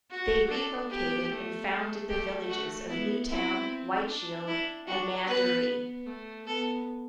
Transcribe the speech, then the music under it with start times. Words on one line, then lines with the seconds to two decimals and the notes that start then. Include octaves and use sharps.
They relocated and founded the villages of New Town, White Shield, and Mandaree.
0.11 F#4
0.50 D4 A4
0.90 B3 G4
1.30 A3
2.09 A3 G4
2.49 F#4
2.88 B3 E4
3.28 C4 E4
4.08 D4
4.48 E4
4.88 D4 F#4
5.27 B3 B4
5.67 B3
6.07 A3
6.47 B3 A4